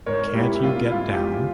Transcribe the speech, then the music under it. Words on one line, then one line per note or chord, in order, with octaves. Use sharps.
Can't you get down?
G#2 A#4 C#5
A#3 E4 G4
G4
G3 F4
E4
G#2 F4
G4
E2 F4